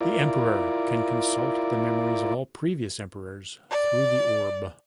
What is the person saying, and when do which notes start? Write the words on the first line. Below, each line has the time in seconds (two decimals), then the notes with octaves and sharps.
The Emperor can consult the memories of all previous emperors through the Orb.
0.01 E4 F4 A#4 D5
3.71 D5